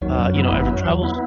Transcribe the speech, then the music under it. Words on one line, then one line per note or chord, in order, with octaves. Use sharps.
uh, you know ever travels
D#2 D#3 F#3
F#2
F#2 B3 E4
G#1 G#2
F#2 F#3
E2
B3 E4